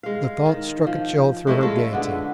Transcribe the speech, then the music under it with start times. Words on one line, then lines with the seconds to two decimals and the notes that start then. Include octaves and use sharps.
The thought struck a chill through her gaiety.
0.03 G#3 F5
0.46 D#3
0.87 F3
1.47 G#3 A3 C#4 E4
1.61 G#3 F4 A4
1.93 D3 B3